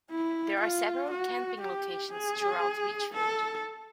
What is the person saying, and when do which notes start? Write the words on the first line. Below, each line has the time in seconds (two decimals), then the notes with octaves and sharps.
There are several camping locations throughout Litchfield.
0.10 E4
0.61 F4
1.11 F#4
1.61 G4
2.13 G#4
3.13 A4